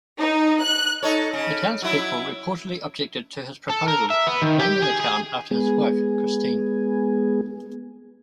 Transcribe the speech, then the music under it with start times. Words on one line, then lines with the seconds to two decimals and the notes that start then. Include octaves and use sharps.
The townspeople reportedly objected to his proposal, naming the town after his wife, Kristine.
0.19 D#4
0.63 F#6
1.03 D#4 A4 C#5
1.33 C#3
1.82 F#3 E4
3.70 A4
3.88 A#4
4.10 E5
4.27 B3
4.42 D#3
4.59 G4
4.82 G#4
5.00 G#4
5.51 G#3 B3 G#4